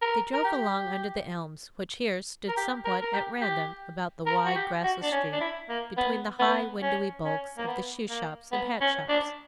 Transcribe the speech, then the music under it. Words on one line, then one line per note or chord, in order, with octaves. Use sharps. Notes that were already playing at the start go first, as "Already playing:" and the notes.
They drove along under the elms which here stood somewhat at random about the wide, grassless street, between the high, windowy bulks of the shoe shops and hat shops.
A#4
A#4
G4
A#4
G4
A#4
A#4
G4
G4
A#4
F#4
G4
F#4
D4
C#4
D4
E4
A#3
B3
B3
C#4
C#4
A#3
B3
A#3
B3
C#4
D4